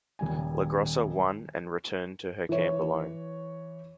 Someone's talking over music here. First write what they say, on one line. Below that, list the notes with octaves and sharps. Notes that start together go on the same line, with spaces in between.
LaGrossa won and returned to her camp alone.
D#1 G3 G#5
E3 C#5